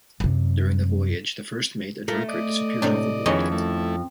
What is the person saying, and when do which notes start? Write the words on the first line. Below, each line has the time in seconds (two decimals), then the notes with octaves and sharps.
During the voyage, the first mate, a drunkard, disappears overboard.
0.20 F#2 C3
2.08 A3 F4 A#4
2.29 D5 D#5
2.82 A2 C3 D4
3.26 F2 D#3 B3 C#4 E4 G#4 D#5
3.52 A3 E4